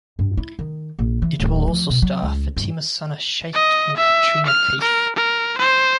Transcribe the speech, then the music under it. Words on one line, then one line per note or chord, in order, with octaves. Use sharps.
It will also star Fatima Sana Shaikh and Katrina Kaif.
G2
E4
D#3
A#1
E3
D1
F3
B2
F#3
C#2
G2
D#5
E5
F6
A#4
A#4
C5